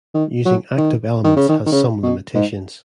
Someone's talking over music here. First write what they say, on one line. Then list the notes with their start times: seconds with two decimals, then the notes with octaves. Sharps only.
Using active elements has some limitations.
0.14 D#3
0.45 F#3
0.77 D#3
1.24 D#3
1.37 C#3
1.49 D#3
1.66 D#3
1.72 C#3
2.03 B2
2.35 G#2